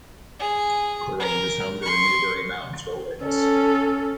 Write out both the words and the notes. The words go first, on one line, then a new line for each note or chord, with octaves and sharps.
The range is home to the Newberry Mountains Wilderness.
G#4
A#4
C6 C#6
C#4 A4